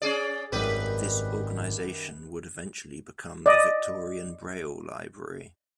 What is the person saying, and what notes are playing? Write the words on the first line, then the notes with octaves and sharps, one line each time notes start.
This organisation would eventually become the "Victorian Braille Library".
C#4 G#4 D5
G#1 F#2 D#3 G3 B4
D5 D#5